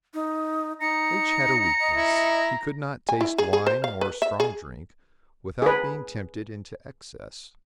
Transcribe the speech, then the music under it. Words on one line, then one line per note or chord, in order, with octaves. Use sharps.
H-- had a weakness; he could not taste wine nor strong drink without being tempted into excess.
D#4
D#4 A#5 C#7
D#5
E4
G#5
E4
G#4
G#4
C5
F5
B4
E5
G#4
G#4 B4